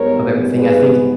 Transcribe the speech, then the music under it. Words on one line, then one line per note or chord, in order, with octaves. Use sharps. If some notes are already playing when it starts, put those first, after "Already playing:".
of everything I think,
Already playing: G#2 G3 B3 A#4 C#5
G#4 B4